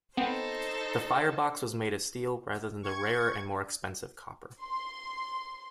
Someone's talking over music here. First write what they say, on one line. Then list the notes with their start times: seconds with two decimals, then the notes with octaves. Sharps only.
The firebox was made of steel rather than the rarer and more expensive copper.
0.17 B3 C4 D#4 A4 C5
2.83 C#6 G#6
4.62 C6